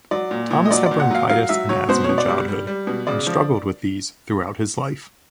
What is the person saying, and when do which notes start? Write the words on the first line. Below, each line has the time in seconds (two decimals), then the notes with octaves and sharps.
Thomas had bronchitis and asthma in childhood and struggled with these throughout his life.
0.11 F#3 D5
0.31 A#2
0.51 A#2
0.65 D#5
0.71 F#3 D5
0.86 A#2 D5
1.00 F#5
1.11 F#3 F5
1.30 F#3 F5
1.49 F#3 E5
1.69 F#3 C#5
1.89 B2 C5
2.04 B2 C#5
2.18 D5
2.28 G3
2.48 G3
2.67 G3
2.87 B2
3.07 C#3 D5
3.27 F3